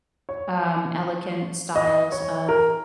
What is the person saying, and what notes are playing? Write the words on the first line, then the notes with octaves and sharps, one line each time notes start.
um, elegant styles of
C#5
D#5
C#5
A#4